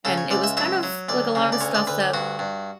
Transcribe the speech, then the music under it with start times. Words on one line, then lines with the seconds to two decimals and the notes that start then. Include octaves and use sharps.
and it was kind of, like a lot of stuff that,
0.05 C#3 A4
0.18 C#5
0.31 C#2 D5
0.44 E5
0.57 F#3 E5
0.83 F#3
1.09 D2 D5
1.35 C#3
1.52 D5
1.61 D2 C#5
1.74 D5
1.87 D2 B4
2.00 G4
2.14 G2 F#4
2.39 G2